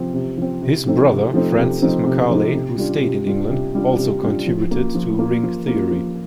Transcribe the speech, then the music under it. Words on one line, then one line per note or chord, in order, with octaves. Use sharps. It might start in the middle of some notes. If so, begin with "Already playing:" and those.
His brother Francis Macaulay, who stayed in England, also contributed to ring theory.
Already playing: C3 F3 C4
C3
F3 C4
C3
F3 A3 C4 D#4
C3
F3 A3 C4 D#4
C3
F3 A3 C4 D#4
C3
F3 A3 C4 D#4
C3
G3 D4 F4
C3
G3 D4 F4
C3
G3 D4 F4
C3
G3 D4 F4
F3
A#3 F4
F3
A#3 F4
F3
A#3 F4
F3